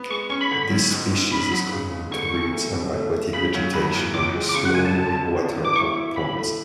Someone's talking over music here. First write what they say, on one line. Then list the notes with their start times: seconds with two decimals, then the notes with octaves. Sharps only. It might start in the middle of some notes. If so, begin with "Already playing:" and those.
This species is common to reeds and aquatic vegetation near slow-moving water or ponds.
Already playing: B3
0.10 G#3 C#6
0.30 C#4 C#6
0.41 B5
0.51 D3
0.70 F#2
0.91 G#2
1.11 G#2
1.31 C#4 B5
1.52 F#3
1.71 C#3
1.91 G#3
2.11 D3 C#6
2.33 D2
2.53 A3
2.72 B2
2.93 A3
3.13 A3
3.33 C#3 B5
3.54 F#2
3.73 E2 B5
3.94 E2
4.14 C#2 D6
4.35 G#3
4.49 D6
4.54 C#3 C#6
4.65 F#5
4.74 C#2 G#5
4.85 A5
4.95 D3 A5
5.16 D3
5.36 E2
5.55 E2
5.65 D6
5.76 E4 C#6
5.96 E4
6.16 A2 B5
6.37 A3